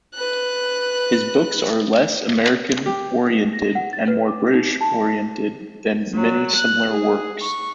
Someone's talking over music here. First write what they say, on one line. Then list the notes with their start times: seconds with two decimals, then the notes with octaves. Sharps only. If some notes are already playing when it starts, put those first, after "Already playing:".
His books are less American-oriented and more British-oriented than many similar works.
0.14 B4 F#6
2.86 G4
3.53 A#6
3.75 F#5
3.93 A6
4.08 B4
4.28 D6
4.53 D#4
4.81 A5
6.15 F#3
6.56 F#6
6.91 G#4
7.40 C#6